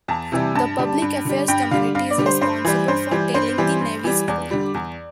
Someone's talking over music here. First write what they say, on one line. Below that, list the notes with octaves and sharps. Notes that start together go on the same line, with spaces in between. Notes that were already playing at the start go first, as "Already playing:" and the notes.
The Public Affairs community is responsible for Telling the Navy Story.
E2 A5
C3 E3 G3
G2 A5
D3 G3
G2
D3 G3
G2 G5
D3 G3 F5
G2 F5
D5
D3 G3
C5
G2 C5
E3 G3
G2 C5
E3 G3
G2 C5
E3 G3
G2
E3 G3
E2 D5
D3 G3
E2